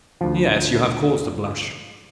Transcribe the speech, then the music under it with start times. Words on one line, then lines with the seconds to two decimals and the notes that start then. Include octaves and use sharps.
Yes; you have cause to blush.
0.21 D2 F3